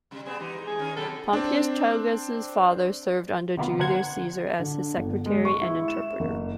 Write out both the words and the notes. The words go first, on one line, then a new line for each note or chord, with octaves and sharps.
Pompeius Trogus's father served under Julius Caesar as his secretary and interpreter.
C3 G3
G3 B3 C4 G#4
G#2 E3 D#4 G4
G#3 G#4
D#3 C#4 D#4
B2 F#3 G4 A4
C4 D4
C3 D#3 A#3 B3 F4
D3 A#4 C5 F#5 G#6
D3
G1
G#3
C#6
E4
E7
F#1